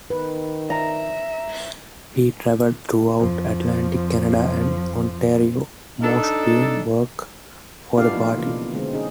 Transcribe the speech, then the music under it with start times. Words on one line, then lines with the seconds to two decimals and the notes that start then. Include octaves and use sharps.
He travelled throughout Atlantic Canada and Ontario mostly doing work for the party.
0.10 D#3 B4
0.70 E5 A#5
3.19 F2 F3
6.02 D4 D#4 A4
7.97 B3 D4 E4 G4 D5 F5
8.11 F3 A3 A#3 D#4 F4
8.35 C#3 E3 A#3
8.49 B2
8.73 D3 G#3 C4
8.93 C#4 D#4 G#4